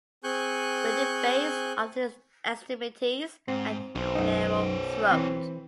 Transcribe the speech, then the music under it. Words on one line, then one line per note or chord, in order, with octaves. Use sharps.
With the base of the extremities and narrow throat.
C4 G#4 G#5 C#6 F#6 G6
G#2 C4
B1 C#4 C5
F#2 D#4
E3 C4